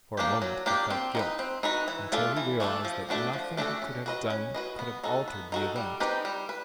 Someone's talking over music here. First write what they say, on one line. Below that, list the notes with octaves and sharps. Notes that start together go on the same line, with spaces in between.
For a moment, he felt guilt, until he realized that nothing he could have done could have altered the event.
A#3 D4 G4
F#3
A#3 D4 G4
C4
D#4 F#4 B4
C4
D#4 F#4 B4
E3
A3 D4 F4 A4
E3
A3 D4 F4 A4
F3
A3 D4 F#4 A4
F3
A3 D4 F#4 A4
C#4
F#4 B4 D#5
C#4
F#4 B4 D#5
B3
D#4 F#4 A4
B3
D#4 F#4 A4
G3
C4 D#4 G4 B4
G3
B4